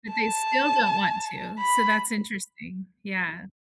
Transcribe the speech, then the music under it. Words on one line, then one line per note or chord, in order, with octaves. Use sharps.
But they still don't want to. So that's interesting, yeah.
A5
B5